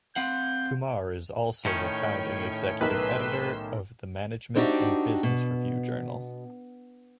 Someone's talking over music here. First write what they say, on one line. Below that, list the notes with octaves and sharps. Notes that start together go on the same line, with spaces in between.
Kumar is also the Founding Executive Editor of the Management and Business Review journal.
C4 F5 F#5 G6
A2 D#3 C#4 C#5 G5
B1 A#4 B4 C6 E6
C4 D4 D#4 F#4 G4
B2